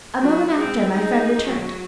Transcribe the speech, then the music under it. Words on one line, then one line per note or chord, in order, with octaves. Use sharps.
A moment after my friend returned.
F#3
G#3 C4
D#4 G#4
F#3